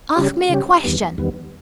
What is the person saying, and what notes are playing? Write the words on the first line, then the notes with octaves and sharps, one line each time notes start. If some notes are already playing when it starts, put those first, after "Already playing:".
"Ask me a question."
C#3 G3 C#4 G4
C#3 G3 C#4 G4
E2 D#3 G3 B3
E2 D#3 G3 B3